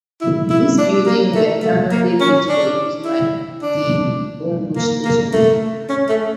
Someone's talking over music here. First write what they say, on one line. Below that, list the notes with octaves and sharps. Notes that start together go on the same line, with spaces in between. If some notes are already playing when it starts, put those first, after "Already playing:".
These building were primarily used for use by the Homebush Station.
E4
E4
D4
A#3
A3
A3
A#3
C#4
D4
E4
D4
A#3
A#3
A3
C#4
A3